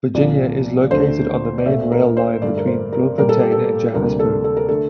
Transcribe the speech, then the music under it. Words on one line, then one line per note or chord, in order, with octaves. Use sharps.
Virginia is located on the main rail line between Bloemfontein and Johannesburg.
C2 A#2 F3 D5
D2 D3 A3 C5
D5
A#2 A3 E5
A#4
C5
G2 D3 A3 D5
A#4
C5
A#4
A#2 G3 A#3 A#4
A4
G4
A4
D2 C3 G3 A#3 A#4
A4
A4
A#4
D3 A3 A4